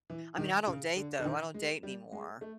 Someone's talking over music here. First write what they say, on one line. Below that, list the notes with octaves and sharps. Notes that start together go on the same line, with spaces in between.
I mean, I don't date, though, I don't date anymore.
E3
D#3
C#3
D3
D3
D#3
G#3
G3
G#3
A3